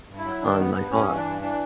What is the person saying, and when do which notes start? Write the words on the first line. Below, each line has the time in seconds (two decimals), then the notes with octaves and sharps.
on my car.
0.09 G2
0.18 E4
0.25 F#3
0.42 D#3 D4
0.58 G2 B3
0.75 G2 B3
0.91 G2 C#4
1.09 E3
1.16 D4
1.25 G2
1.41 E3 D4